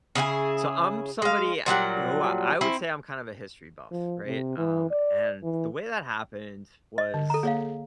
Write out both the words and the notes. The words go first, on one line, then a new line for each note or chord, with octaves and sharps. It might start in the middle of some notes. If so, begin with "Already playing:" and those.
so, I'm somebody who I would say I'm kind of a history buff, right, um, and the way that happened was-
C#3 E4 F4 G#4
G#3 F5
A#2 F#3 G3 F#5
C4 C#4 E4
F3
C3
E3
D5
E3
D#5
D3
A4 A#5
A#3 G#4 C#5 F5